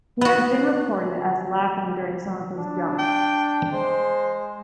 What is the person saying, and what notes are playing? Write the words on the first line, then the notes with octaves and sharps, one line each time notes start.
He has been reported as laughing during some of his jumps.
B3 F#4
D4
G5
G#3 C5